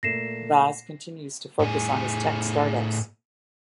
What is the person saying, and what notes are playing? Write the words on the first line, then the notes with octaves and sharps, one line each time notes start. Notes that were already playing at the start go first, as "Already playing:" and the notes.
Baz continues to focus on his tech start-ups.
A#2 A3 A#3 A#6 C7 E7
A2 G#4